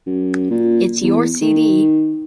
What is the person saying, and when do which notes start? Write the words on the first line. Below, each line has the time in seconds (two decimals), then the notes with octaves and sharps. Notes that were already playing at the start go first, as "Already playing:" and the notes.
It’s your CD.
0.06 F#2
0.50 A#2
1.02 E2
1.42 D#3